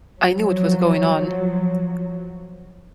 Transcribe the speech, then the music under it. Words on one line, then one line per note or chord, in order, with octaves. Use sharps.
I knew what was going on.
F3 F#3